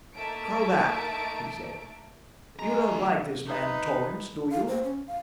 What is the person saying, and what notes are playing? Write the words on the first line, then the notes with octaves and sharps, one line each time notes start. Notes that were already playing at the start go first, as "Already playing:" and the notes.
"Krovac," he said, "you don't like this man Torrance, do you?"
A3 A#3 D#4 E5 A5 D7
D2 G#3 A#5
D#4 B4
F5
C5
C#4
F5